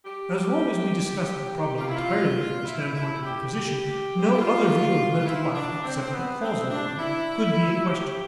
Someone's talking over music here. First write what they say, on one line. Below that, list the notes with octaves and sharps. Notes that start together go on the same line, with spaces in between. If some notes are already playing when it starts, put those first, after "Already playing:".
As long as we discussed the problem entirely from the standpoint of the physician, no other view of mental life except the causal one could be in question.
G4
F4
E4
F4
E4
E4
G4
G4
C4
D4
E4
F4
F4
E4
D4
C4
C4
B3
C4
D4
E4
G4